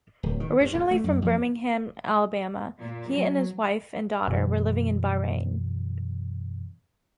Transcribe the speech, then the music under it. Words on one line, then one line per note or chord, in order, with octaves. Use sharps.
Originally from Birmingham, Alabama, he and his wife and daughter were living in Bahrain.
D1
D#3
G2
G#2
A3
F#2
F2
A#2
F#3
F#2 B2 E3